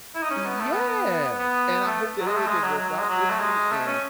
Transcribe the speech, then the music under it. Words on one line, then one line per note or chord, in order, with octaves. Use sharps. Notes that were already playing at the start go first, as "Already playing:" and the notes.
Yes, and I hope that everything works out with you, and
E4
D#4
C#4
B3
A3
B3
B3
B3
A3
F#3
G#3
A3
G#3
F#3
F#3
F#3
G#3
F#3
A3
G#3
A3
C#4